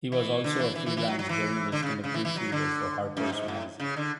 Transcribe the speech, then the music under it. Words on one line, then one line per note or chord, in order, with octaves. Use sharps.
He was also a freelance journalist and a proofreader for "Harper's Magazine".
E3
D3
E3
E3
E3
E3
F#3
F#3
E3
D3
C#3
C#3
E3
E3
F#3
D3
F#2
G#2
A2
C#3
D3